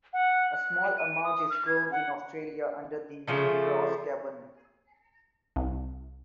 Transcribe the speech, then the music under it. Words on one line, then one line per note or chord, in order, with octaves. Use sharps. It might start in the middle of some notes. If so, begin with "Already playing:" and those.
A small amount is grown in Australia under the name Gros Cabernet.
F#5
F#6
D#7
D#6
F6
G#6
F#5
C#3 F3 A3
C2